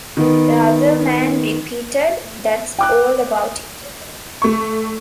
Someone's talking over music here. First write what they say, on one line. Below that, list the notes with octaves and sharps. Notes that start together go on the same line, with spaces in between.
The other man repeated, "That's all about it."
D#3 B3
G5 D6 F#6
A3 C#6